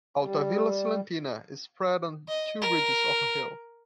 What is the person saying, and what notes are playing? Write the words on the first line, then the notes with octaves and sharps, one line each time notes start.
Altavilla Silentina is spread on two ridges of a hill.
G3
D#5
A#4